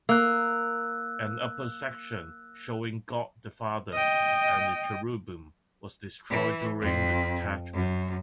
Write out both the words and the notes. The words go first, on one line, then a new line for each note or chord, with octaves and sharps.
An upper section showing God the Father and cherubim was destroyed during the detachment.
A#3 E6 F#6
D#5 G5
E3
F2
F#2